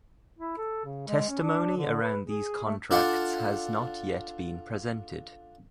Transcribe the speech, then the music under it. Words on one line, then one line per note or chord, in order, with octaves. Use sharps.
Testimony around these contracts has not yet been presented.
E4
A4
C#3
G#3
C#4
D4
D3
B4
G#4
A3
D4 F4 A4 D5 F5 F#5